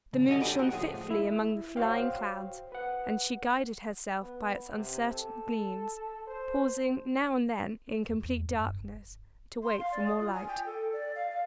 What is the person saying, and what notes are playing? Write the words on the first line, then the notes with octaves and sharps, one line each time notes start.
The moon shone fitfully among the flying clouds, and she guided herself by its uncertain gleams, pausing now and then, in complete darkness, to wait for more light.
C#3
D3 G3 D#5 G#5
D#2 D4 G4 G#4 G5 B5
F#4
C#2 A2 F3 G#4
E4
F#4 C5 C#5 F5 G5
B4 F#5
B3
C3
A4
C5
E2
G2
F1
C6
F5
D5
D#6
F4
G#5
G5
A4
D5
F5
F5